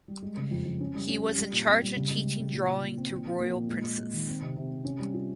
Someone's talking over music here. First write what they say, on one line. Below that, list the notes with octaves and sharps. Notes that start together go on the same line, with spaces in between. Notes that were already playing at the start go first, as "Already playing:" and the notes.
He was in charge of teaching drawing to royal princes.
G3
G#3
C#3
F2
F2
C#4
G3
C#4
G4
G3
A#2
C4
G3
C#3
G#3
C#3
C#3
A#2
A#2
A#2
C4
A#2
F3
A#3
A#2
G#3
G#3
G#3
D#3
C4
C3
C3
C3
C#4
G3
F4